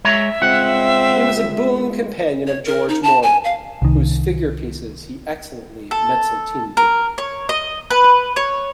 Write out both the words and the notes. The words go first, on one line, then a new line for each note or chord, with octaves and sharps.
He was a boon companion of George Morland, whose figure-pieces he excellently mezzotinted.
G#3 C#5 E5 A#5
G#3 C4 F4 F#5
C#5
A#4
D#4
A5
G#5
F5
C2 D#3
A4
A#4
C#5
D#5
B4
C#5